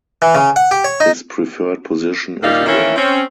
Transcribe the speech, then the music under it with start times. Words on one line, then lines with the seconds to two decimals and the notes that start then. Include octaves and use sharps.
His preferred position is wing.
0.22 E3
0.35 C#3
0.56 F#5
0.71 G4
0.84 C#5
1.00 D#4
2.42 D#2 A#2 G3 A#3 D#4 F5
2.67 D#3 E3 A#3 C#4 E4
2.96 C4 C#4